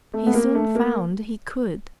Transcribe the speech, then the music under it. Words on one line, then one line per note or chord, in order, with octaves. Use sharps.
He soon found he could.
A3
B3
A#3
A3
A#3